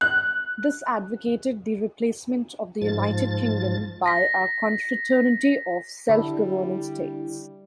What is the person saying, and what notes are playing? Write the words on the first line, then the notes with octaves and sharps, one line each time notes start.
This advocated the replacement of the United Kingdom by a 'confraternity' of self-governing states.
F#6
G#2 F3 A6
A#6 B6
D3 G3 D4 E4